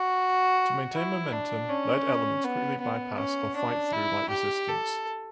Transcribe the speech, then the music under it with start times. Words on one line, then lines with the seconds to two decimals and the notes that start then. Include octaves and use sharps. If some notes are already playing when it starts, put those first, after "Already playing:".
To maintain momentum, lead elements quickly bypass or fight through light resistance.
Already playing: F#4
0.94 E4
1.32 D4
1.69 C#4
2.44 B3
2.81 B3
3.18 C#4
3.56 D4
3.92 E4
4.30 G4
4.68 A4